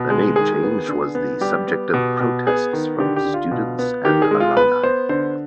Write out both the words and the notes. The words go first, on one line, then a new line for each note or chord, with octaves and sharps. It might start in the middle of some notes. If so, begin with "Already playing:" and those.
The name change was the subject of protests from students and alumni.
Already playing: B2
G#3
D#3 G#4
B3
D3
B3
G3 G4
B3
B2
B2
B3 G#4
D#3
D3 G4
G4
D3
F4
B2
B3
D#3 G4
G#4
G#3
F4
B3 B4
B3 C5
D3 C5